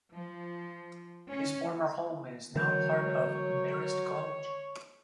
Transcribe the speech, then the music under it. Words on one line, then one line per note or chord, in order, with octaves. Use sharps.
His former home is now part of Marist College.
F3
C#4
D3 E3 F#3 G#3 A#4 C#5 G6